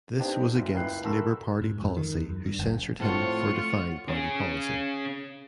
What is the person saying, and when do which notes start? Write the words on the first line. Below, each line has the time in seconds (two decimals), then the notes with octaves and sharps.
This was against Labour Party policy who censured him for defying party policy.
0.19 B3 C4 D4 D#4 G4
0.55 F#1 F#3
0.74 F#1 C#2 B3 G5 F#6 C7
1.04 F#4 A4 A#4 B5 C6 E6
1.61 G#2
1.82 F2
1.97 D#3
2.13 E2
2.29 F#2
2.45 G2
2.58 F#1
3.00 A2 F3 A3 C4 F4 C#5 F#5
4.08 C#4 G#4